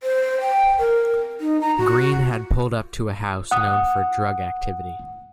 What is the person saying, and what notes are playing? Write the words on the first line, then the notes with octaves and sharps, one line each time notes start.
Green had pulled up to a house known for drug activity.
C5
G5
A#4
D#4
A#5
F#4
F#5 D#6